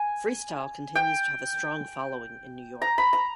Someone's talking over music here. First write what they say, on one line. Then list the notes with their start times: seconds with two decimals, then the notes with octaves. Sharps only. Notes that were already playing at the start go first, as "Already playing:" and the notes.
Freestyle continues to have a strong following in New York.
Already playing: G#5
0.95 G5
2.82 A#5
2.98 B5
3.13 A#5